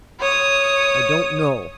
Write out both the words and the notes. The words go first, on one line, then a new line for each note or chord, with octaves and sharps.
I don't know!
C#5 D#6